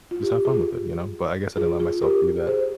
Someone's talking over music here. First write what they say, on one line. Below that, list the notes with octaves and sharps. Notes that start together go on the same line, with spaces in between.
"Just have fun with it," you know, but I guess I didn't let myself do that.
F4
G4
F4 G#4
F4 G#4
F4 G#4
G4 A#4
G#4 C5